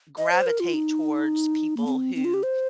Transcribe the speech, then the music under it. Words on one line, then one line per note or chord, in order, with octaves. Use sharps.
gravitate towards people who
D#5
C5
A#4
F4
D#4
A#3
C4
C4
F4
G4
C5